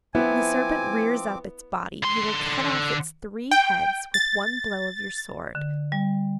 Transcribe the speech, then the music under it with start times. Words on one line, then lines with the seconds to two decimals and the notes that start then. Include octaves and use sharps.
When the serpent rears up its body you will cut off its three heads with one blow of your sword.
0.15 F3 B3 C4 E4 G#5 D6
2.03 D3 C6
3.51 G5
4.14 A6
5.55 D3
5.92 G3